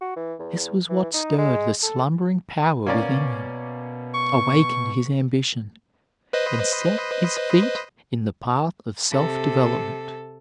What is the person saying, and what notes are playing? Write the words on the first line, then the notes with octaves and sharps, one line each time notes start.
This was what stirred the slumbering power within him, awakened his ambition, and set his feet in the path of self-development.
F#4
E3
E2
E3
D#4
G#3
A4
B2 A#3 C#4 D5
C#6
B4 C5 D#5
C3 A4